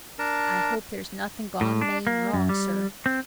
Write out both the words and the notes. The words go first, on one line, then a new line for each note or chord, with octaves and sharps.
I hope there's nothing gone main wrong, sir.
D4 A#4 A5
A2
D4
A#3
F#2
G3
C4